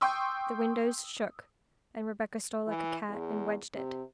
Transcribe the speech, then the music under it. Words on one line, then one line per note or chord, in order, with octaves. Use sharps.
The window shook, and Rebecca stole like a cat and wedged it.
G5 C6 C#6 D#6 E6
E3
E2
C3